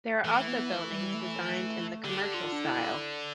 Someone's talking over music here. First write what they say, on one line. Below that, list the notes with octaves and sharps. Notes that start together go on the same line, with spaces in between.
There are also buildings designed in the Commercial style.
E3 A3
B3
A3
G3
A3
D3 G4
F4
D4
E4